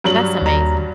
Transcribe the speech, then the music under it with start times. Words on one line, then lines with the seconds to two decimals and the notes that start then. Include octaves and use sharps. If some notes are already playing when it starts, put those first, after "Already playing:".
That's amazing.
0.04 G2 F#3 F#7
0.42 D#2 A#5